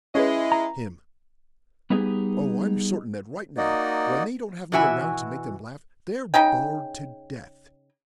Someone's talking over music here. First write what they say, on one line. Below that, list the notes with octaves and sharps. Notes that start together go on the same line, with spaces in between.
HIM: Oh, I'm certain that right now, when they don't have me around to make them laugh, they're bored to death.
G#3 C#4 E4 G#4 B4 D#5
A#5
G3 B3 D#4 G4 G#4
A#3 D#4 F#4 D5 D#5
B2 E3 F#4 E5 G#5
C#3 D#4 G#4 G5